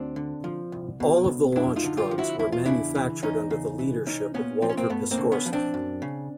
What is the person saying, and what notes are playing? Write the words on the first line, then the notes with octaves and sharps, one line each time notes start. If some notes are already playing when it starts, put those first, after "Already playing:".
All of the launch drugs were manufactured under the leadership of Walter Piskorski.
Already playing: D2 C4 D4
D3
F3
C2
B2
C2
F#2 D4 E4
D#4 F4
D3
F4 G4
F3
E4 F#4
E2 E4
F4
C#3 D4 E4
E3
E2 C#4 D#4
C#3
E3
C2 C#4 D#4
A#2 B3 C#4
F3 C4
C#4
A#3 C4
G2 A3 B3
A#3 C4
D3
B3 C#4
F3
C4 D4
F#2
C#3